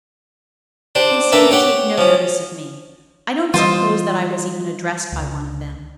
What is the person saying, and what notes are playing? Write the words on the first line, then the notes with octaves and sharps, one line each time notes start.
They seemed to take no notice of me; I don't suppose that I was even addressed by one of them.
D4 G4 C5
A#3 A4 B4 E5 G5
G4 C#5 F#5 G5
F3 C#4
E3 G3 F4 C5 D#5
C#2